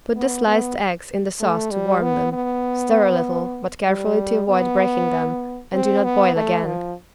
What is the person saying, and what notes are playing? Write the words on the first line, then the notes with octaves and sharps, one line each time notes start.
Put the sliced eggs in the sauce to warm them, stir a little, but carefully to avoid breaking them, and do not boil again.
B3
B3
A3
G3
B3
B3
G3
B3
C4
B3
A3
F3